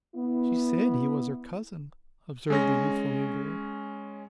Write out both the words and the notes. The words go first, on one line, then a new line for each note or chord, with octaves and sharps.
"She said he was her cousin," observed a youthful new girl.
B3 E4
G#3 C#4 A#6